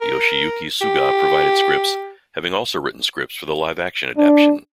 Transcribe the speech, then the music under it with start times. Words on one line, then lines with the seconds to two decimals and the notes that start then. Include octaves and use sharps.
Yoshiyuki Suga provided scripts, having also written scripts for the Live Action adaption.
0.01 A#4
0.81 G4
4.17 D4